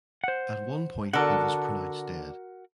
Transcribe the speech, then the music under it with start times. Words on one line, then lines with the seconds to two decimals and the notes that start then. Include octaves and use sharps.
At one point he was pronounced dead.
0.24 C5 F#5
1.13 D3 F#4 A4 A#4 F#5